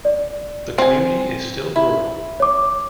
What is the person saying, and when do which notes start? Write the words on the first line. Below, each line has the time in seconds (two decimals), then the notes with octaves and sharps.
The community is still rural.
0.05 D5
0.78 C4 G#5
1.76 E4
2.40 C#5 D6